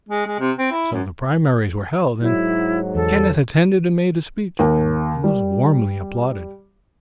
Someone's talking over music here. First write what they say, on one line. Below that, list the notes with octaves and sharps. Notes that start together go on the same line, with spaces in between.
So the primaries were held and Kenneth attended and made a speech, and was warmly applauded.
G#3
G#3
C3
C4
E4
F#2
G#2 F#3 E4
E2 A4
D#2
G3